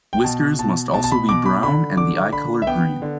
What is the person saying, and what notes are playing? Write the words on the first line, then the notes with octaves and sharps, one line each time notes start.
Whiskers must also be brown and the eye color green.
G5
B2 A5
B2 A5
B2 A5
A5
B5
B2 D6
B5
D3 B5
D3 D6
D4 B5
E5
B3 G5
D3